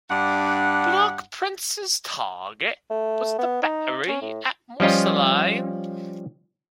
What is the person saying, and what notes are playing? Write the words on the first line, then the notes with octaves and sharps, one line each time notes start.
"Black Prince"s target was the battery at Morsalines.
G2 D4 F#5
A3
B3
D#4
C#4
A2
F3 G3 C#4 F4 D#5